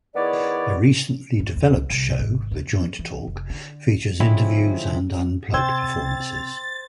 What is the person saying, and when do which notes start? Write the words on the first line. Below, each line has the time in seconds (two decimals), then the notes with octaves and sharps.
A recently developed show "The Joint Talk", features interviews and unplugged performances.
0.15 D#3 B3 E4 G#4 C#5 D5
1.40 G#2
1.56 E2
1.72 C#2
1.90 C2
2.19 G#1
2.51 E2
2.99 E3
3.27 F1
3.50 D3
4.20 D3 F3 G#3 C4 C#4 E4
5.54 C3 C5 G5 E6 G#6 A6